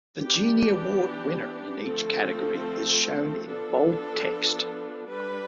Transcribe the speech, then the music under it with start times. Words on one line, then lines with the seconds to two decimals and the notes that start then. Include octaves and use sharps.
The Genie Award winner in each category is shown in bold text.
0.21 E3 B3 D4 G4
1.83 D3 F3 A3 C4 A4
3.46 F3 B3 D4 A4
5.08 G3 D4 B4